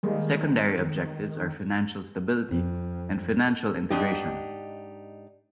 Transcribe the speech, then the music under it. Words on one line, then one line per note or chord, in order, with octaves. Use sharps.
Secondary objectives are financial stability and financial integration.
D#3 G3 G#3 A#3
F2
G#2 D4 D#4 G4